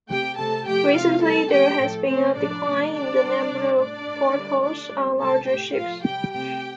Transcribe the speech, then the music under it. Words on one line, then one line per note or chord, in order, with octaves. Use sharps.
Recently there has been a decline in the number of portholes on larger ships.
C3 A3 G4 G5
C3 A3 A4 A5
C3 F3 A3 G4 G5
C3 A3 F4 F5
C3 G3 A4 A5
C3 F3 A3 G4 G5
A2 F3 A3 A4
C3 F3 A3 C4 C5
A2 F3 A3 D4 D5
C3 F3 A3
D3 G3 D4 D5
C3 G3
C3 G3
A2 A3 D4 D5
A2 A3
D3 G3
D3 A3 D4 D5
A2 G3
C3 G3 A4 A5
A2 A3 G4 G5
A2 F3 A3 F4 F5
C3 G3 G4 G5
C3 A3 G4 G5